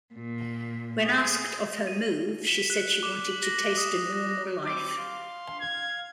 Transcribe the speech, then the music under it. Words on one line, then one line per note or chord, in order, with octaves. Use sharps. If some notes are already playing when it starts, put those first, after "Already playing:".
When asked of her move, she said she wanted to taste a normal life.
A#2
G#4
D#7
B6
F#6
D6
F#7
A#6
D#6
A#6
A#6
C4 D6
F5 C6
G#6